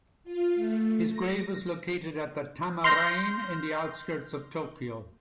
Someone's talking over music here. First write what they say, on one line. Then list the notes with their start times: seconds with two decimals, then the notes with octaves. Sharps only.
His grave is located at the Tama Reien in the outskirts of Tokyo.
0.24 F4
0.55 A3
1.09 A#6
2.84 C6 F6 G6 A#6